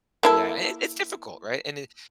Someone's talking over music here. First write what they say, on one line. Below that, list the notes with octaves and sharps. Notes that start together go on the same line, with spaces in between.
Yeah, and it it's difficult, right? And it
A#3 E4 A4